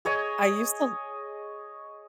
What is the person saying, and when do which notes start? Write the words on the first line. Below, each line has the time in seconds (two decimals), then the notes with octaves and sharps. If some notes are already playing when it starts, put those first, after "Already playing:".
I used to l
0.05 G#4 C#5 D#5 G#5